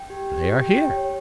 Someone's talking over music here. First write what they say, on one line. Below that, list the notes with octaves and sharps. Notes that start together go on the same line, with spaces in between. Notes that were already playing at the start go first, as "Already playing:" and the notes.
"They are here."
Already playing: G5
G4
G4
G5
G4
C#5